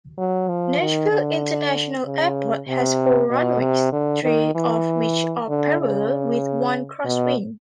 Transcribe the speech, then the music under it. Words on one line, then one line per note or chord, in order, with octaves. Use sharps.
Nashville International Airport has four runways, three of which are parallel with one crosswind.
F#3
F3
D#3
D3
C#3
C3
B2
C3
D3
D#3
E3
D3
C#3
B2